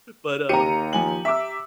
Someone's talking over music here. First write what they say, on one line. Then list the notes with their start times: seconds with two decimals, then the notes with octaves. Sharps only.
But, um
0.49 D#2 G4 A#5 C#7 D#7
0.93 F3 G#5 F#7
1.25 E5 D6 E6